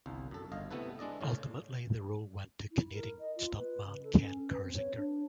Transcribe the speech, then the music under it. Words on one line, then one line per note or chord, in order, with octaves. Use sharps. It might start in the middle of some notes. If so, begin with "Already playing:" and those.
Ultimately, the role went to Canadian stuntman Ken Kirzinger.
G1 C2
F#2 A4
G1 D#5 F5
C3 A3 B3 E4 A4 B4
G#3 D4 D5 D#5
A2 C#3 C#4
E4
A#4
D#5
F4
B4
C#3
A4
C#4
B4
C4
C#5
D4